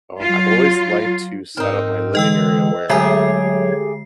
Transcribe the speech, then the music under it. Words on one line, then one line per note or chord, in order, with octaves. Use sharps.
um, I've always liked to set up my living area where,
F#3 F4
G#2 C4 D#4 A#4
D3 E3 G#3 D#5 G5 E6
D3 F#3 G#3 A3 G4 G#4 C#5 C7